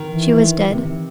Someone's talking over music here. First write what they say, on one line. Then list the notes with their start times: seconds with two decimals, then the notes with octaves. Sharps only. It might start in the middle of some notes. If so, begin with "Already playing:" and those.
She was dead.
Already playing: D#3
0.08 E3
0.71 C3 D#3
0.87 E3